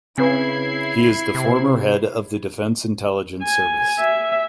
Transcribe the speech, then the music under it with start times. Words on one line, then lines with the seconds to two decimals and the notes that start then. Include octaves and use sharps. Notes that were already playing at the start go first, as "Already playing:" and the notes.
He is the former head of the Defense Intelligence Service.
0.18 C#3 C4 E4 B4 G#6 C7
1.35 C3
3.43 G#5
4.00 E5